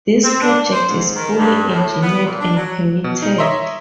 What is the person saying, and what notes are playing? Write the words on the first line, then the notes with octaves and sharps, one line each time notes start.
This project is fully engineered and permitted.
C4
D4
C5
G#2
D#3
G2
A2
B3
A#2
D4
F#3
B2
D#4
C#5 D#5 E5 A#5 C6